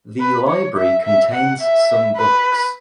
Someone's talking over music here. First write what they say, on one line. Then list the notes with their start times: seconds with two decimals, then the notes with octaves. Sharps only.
The library contains some books.
0.20 B4
0.49 C#5
0.77 E5
1.05 E5
1.33 F#5
1.61 E5
2.17 B4